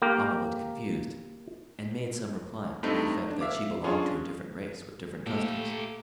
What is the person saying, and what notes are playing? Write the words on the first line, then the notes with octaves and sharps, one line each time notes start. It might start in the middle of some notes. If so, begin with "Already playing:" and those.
Almah looked confused, and made some reply to the effect that she belonged to a different race with different customs.
A#3 G4 A#4
G2 A3 C4 D#4
D4
E5 F5 D6
C#4 D4 F4 G#4 C#5
A#2 A3 A#3 G4 A4